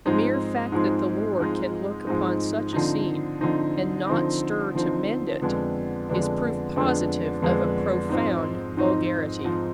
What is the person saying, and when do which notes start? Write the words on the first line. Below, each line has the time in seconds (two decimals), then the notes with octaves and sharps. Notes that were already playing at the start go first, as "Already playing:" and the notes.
The mere fact that the lord can look upon such a scene and not stir to mend it, is proof positive of a profound vulgarity.
0.06 G#2 F3 G#3 C4 D#4
0.72 G#2 F3 G#3 C4 D#4
1.39 G#2 F3 G#3 C4 D#4
2.07 G#2 F3 G#3 C4 D#4
2.73 D3 F3 C4 D#4
3.41 D3 F3 C4 D#4
4.07 D3 F3 C4 D#4
4.75 D3 F3 C4 D#4
5.42 F2 D3 G#3 B3 D4
6.09 F2 D3 G#3 B3 D4
6.76 F2 D3 G#3 B3 D4
7.42 F2 D3 G#3 B3 D4
8.09 G#2 F3 C4 D#4
8.77 G#2 F3 C4 D#4
9.44 G#2 F3 C4 D#4